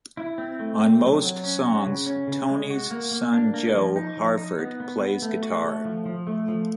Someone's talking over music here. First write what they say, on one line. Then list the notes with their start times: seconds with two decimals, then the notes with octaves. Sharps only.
On most songs, Tony's son Joe Harford plays guitar.
0.17 E4
0.38 C4
0.59 A3
0.80 C4
1.02 F#3
1.22 F#3
1.44 C#4
1.64 F#4
1.86 C#3
2.06 C#4
2.27 C#3
2.48 G#3
2.70 F#4
2.91 A#3
3.11 A#3
3.33 D4
3.54 A#3
3.74 F3
3.96 D#4
4.17 F3
4.37 D#4
4.59 B3
4.80 B3
5.01 B3
5.22 A3
5.43 F#4
5.64 A3
5.85 F3
6.06 F3
6.27 A3
6.48 F3